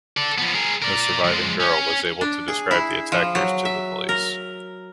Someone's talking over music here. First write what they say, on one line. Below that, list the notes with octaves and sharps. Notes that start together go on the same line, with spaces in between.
The surviving girl was able to describe the attackers to the police.
A4 D5
F3 B3
G#4 A#4
A#4 D5
F3 G#3
C#4
D4
G#4
E4
F3
F#3
E5
A#4